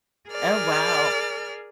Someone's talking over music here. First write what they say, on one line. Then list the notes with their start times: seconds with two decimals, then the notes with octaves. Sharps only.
Oh, wow.
0.29 G#4 A#4 D5 F6